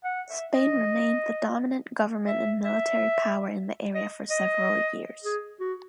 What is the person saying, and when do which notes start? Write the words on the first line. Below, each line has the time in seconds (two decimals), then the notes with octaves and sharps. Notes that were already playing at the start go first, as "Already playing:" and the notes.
Spain remained the dominant government and military power in the area for several years.
0.04 F#5
0.28 E5
0.54 D#5
2.27 E5
2.64 E5
3.94 D#5
4.30 D#5
5.24 G#4
5.60 F#4